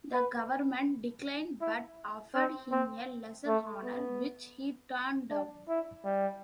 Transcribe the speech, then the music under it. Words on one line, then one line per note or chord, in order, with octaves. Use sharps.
The government declined but offered him a lesser honour, which he turned down.
B4
E4
C4
C4
A3
B3
D4
E4
G3